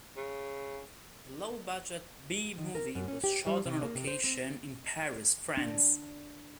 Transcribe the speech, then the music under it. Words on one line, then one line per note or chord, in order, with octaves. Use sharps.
The low-budget B-movie was shot on location in Paris, France.
C#3
D#3
A#4
F#2
C#4
G4
G3
C3
A#3
C3
C5
C4
D4